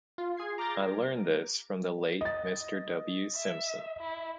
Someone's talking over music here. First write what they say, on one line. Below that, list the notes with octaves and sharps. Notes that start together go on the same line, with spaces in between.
I learned this from the late Mr. W. Simpson.
F4
G#4 G#6 C7
A#5 D6 F6 G6 A6 A#6
D#5 A6
E5
E4